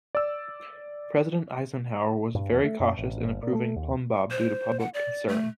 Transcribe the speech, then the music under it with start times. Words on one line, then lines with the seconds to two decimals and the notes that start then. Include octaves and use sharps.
President Eisenhower was very cautious in approving Plumbbob due to public concern.
0.15 D5 E6
2.35 G2
2.51 E2
2.64 A3
2.80 F#2
2.97 A1
3.24 G1
3.43 A#2
3.55 A3
3.76 D#2
4.31 C5
4.80 F#5
4.94 D5
5.28 A3